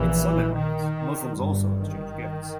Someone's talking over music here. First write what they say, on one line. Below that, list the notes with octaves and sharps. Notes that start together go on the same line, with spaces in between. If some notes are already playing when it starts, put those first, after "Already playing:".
In some areas Muslims also exchange gifts.
Already playing: A#1 A#2 E3
D#3
G1 G2
D#3